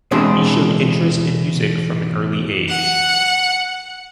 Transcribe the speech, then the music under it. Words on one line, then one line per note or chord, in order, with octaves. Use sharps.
He showed interest in music from an early age.
E2 B2 G#3 C4 D4
F#5 C#7